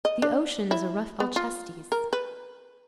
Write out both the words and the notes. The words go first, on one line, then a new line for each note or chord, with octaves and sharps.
The ocean is a rough Alcestis.
D#5
D4
E4
B3
F4
A#4
B4